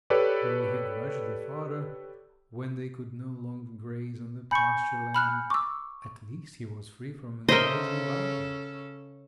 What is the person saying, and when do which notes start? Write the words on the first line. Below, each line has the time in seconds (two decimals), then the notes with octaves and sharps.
Though he grudged the fodder when they could no longer graze on the pasture-land, at least he was free from anxiety about them.
0.10 G4 A4 B4 C#5 D5
4.51 G#5 B5 C#6 G6 C#7
5.14 B5 F6 F#6
5.50 C#6 D6 E6
7.49 C#3 C#4 A4 A#4 C5 D#5 E5